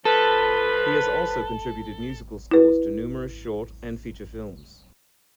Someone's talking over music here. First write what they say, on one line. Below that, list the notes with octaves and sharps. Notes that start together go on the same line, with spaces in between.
He has also contributed musical scores to numerous short and feature films.
F3 A4 B4
E4 B4